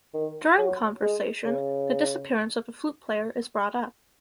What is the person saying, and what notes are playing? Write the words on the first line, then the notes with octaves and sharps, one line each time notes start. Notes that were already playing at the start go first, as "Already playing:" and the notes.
During conversation, the disappearance of the flute player is brought up.
D#3
F#3
G#3
C#3